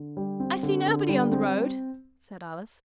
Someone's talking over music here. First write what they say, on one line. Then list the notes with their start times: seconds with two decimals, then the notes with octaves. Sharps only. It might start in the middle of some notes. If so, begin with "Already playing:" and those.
'I see nobody on the road,' said Alice.
Already playing: D3
0.17 G3
0.40 C4
0.63 D3
0.86 D3
1.09 G3
1.32 C4